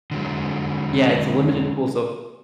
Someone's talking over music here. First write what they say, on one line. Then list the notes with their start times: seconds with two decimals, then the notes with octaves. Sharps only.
Yeah, it's a limited pool, so
0.11 D3 F#3 G#3